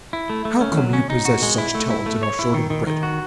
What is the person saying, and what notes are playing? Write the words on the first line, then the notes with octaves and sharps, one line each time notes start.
How come you possess such talent and are short of bread.
E4
A3
A3
C#4
F#3
C#4
D#4
F#4
G#3
E4
A3
E4
A3
C#5
E4
D#3
D#3
D#3
F#4